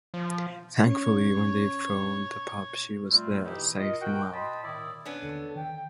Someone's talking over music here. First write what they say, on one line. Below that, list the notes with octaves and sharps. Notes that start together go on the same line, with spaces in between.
Thankfully when they phoned the pub she was there safe and well.
F3
C#4 C#5
G3 A3 C4 F4
B2 E3 D#4 E4 G4
F4 A#4 D#5
F#4 A#4 F#5 G5
D#5 G5 A5 B5 C6
A2 D#3 E4 D5 D#6
B3 C#4 D4
D#2 D3 A4
D#3 G5